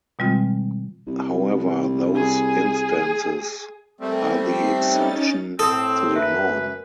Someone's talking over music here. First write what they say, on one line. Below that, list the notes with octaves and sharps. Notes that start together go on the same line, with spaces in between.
However, those instances are the exception to the norm.
B2 D#3 G3 G#3 C4 F4
C2
G#4
G3 A3 C4 A#4 G#5
B6 C7
C#4 D#4 A6
A2 C4 A4 D#6
F#2 B4 E5